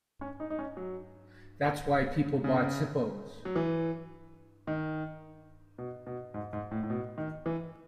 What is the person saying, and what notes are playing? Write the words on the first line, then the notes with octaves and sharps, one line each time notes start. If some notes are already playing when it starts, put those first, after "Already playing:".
That's why people bought Zippos.
C#4
D#4
D#4
C#4
F#3
C#3
F#3
E3
D#3
B2
B2
G#2
G#2
A2
A2
B2
D#3
E3